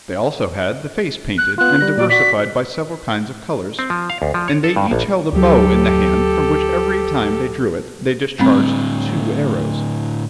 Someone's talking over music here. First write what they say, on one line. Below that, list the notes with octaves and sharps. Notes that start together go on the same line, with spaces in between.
They also had the face painted and diversified by several kinds of colours, and they each held a bow in the hand, from which every-time they drew it, they discharged two arrows.
F#6
B3 F4 F#6
G3 A#6
A#2 D5
F#4 D5 B6
C4
F3
F5
D2
F3
C#5
A4
G2
A#1
D2 F#3 G4 A4
A2 D3 G3 A3 C4